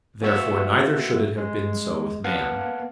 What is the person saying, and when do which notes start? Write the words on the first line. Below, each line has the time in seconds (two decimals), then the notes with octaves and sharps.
Therefore neither should it have been so with man.
0.22 E3 A#3 F#4 E5 C#6 E6
1.38 G#3
2.24 A#3 B3 F5 F#5 A5